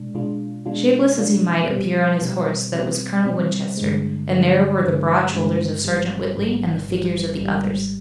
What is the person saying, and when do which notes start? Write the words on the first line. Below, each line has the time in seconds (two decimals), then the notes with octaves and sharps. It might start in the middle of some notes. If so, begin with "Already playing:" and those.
Shapeless as he might appear on his horse that was Colonel Winchester, and there were the broad shoulders of Sergeant Whitley and the figures of the others.
Already playing: B2 G#3 D4
0.14 B2 G#3 D4 F4
0.66 B2 G#3 D4 F4
1.18 B2 G#3 D4 F4
1.69 B2 G3 C4
2.21 B2 G3 C4
2.73 B2 G3 C4
3.25 B2 G3 C4
3.77 G2 D3 G#3
4.29 G2 D3 G#3
4.81 G2 D3 G#3
5.32 G2 D3 G#3
5.84 G#1 G#2 G3
6.36 G#1 G#2 G3
6.88 G#1 G#2 G3
7.40 G#1 G#2 G3